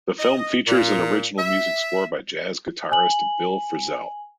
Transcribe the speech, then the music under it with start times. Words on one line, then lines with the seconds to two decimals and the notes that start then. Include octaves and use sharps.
The film features an original music score by jazz guitarist Bill Frisell.
0.19 D#5
0.67 A#2
1.37 E5
2.92 G#5 F#7